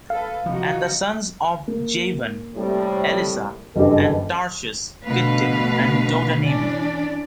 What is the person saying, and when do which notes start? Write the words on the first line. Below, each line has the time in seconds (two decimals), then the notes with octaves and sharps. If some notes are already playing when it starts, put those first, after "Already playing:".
And the sons of Javan: Elishah, and Tarshish, Kittim, and Dodanim.
0.10 A4 B4 F5
0.46 C3 F3 D#4 F#4
1.68 A#3
2.56 A2 C3 G3
3.76 F#1 G2 E3 G4 A4 D#5
5.06 B2 D3 F3 A3 B4 F5
6.41 E3 C#4 D4 D5